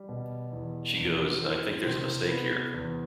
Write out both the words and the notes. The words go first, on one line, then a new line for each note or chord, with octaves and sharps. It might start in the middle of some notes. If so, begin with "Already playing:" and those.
She goes I think there's a mistake here.
Already playing: G3
B2
E2
E2
E3 C5
C3 C5
B3 B4
E2